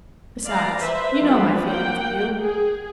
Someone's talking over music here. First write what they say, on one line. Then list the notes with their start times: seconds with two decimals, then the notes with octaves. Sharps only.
Besides, you know my feeling for you.
0.45 D5 F5 A#5
0.78 B4 C5 E5
1.21 F3 G#3 C4 D4 B4
1.65 A#3 F#5 G5
2.40 G#4